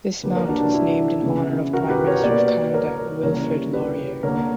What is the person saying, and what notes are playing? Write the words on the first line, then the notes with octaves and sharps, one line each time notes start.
This mount was named in honor of Prime Minister of Canada Wilfrid Laurier.
D3 G3 A#3 G4 B4
A#4 C#5
D4 F#4
D4
E4
C#3 E3 B3
F#4 A#4
G4 B4
A#4 C#5
B2 A#3 B4 D5
A#4 C#5
C#3 E3 G3 A#3 A#4 C#5
G4 B4
D3 A#3 A#4 C#5